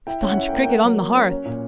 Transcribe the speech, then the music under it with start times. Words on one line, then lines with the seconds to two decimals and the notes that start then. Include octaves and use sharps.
Staunch Cricket on the Hearth!
0.07 E4 G5
0.22 C#4
0.28 F#5
0.37 E4
0.49 A#3 G5
0.64 G5
0.69 A#3 F#5
0.84 F#3
1.00 A#3
1.15 C#4
1.30 C#4
1.45 A#2